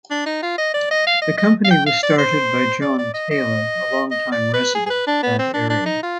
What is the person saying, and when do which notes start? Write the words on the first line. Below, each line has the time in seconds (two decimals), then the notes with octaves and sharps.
This company was started by John Taylor, a long-time resident of that area.
0.11 D4
0.26 D#4
0.43 F4
0.58 D#5
0.74 D5
0.91 D#5
1.07 F5
1.22 D#5
1.38 D#5
1.65 F5
1.71 G5
1.86 F5
2.03 D5
2.18 C5
2.82 D5
2.98 D5
3.14 D#5
3.31 D#5
4.11 D#5
4.32 D5
4.53 B4
4.75 G#4
4.86 G#4
4.90 B4
5.07 D4
5.23 B3
5.39 C4
5.54 D4
5.70 D4
5.86 D#4
6.03 F4